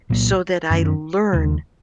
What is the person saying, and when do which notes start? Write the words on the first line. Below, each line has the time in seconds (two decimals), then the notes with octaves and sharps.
so that I learn
0.10 C2 A#2 F#3 A#3
0.70 F#2 D#3 F#3 C#4
1.33 D#2 C#3 G#3